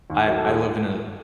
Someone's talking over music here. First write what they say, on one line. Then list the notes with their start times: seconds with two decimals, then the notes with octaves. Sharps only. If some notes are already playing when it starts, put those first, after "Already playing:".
I I live in a
0.10 D#2
0.28 F#3 A#4
0.38 A4
0.46 D#2 G#4